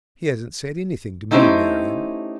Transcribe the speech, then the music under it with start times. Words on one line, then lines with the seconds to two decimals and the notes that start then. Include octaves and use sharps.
'He hasn't said anything to me, Marian.'
1.31 A3 C#4 D#4 E4 G4 C5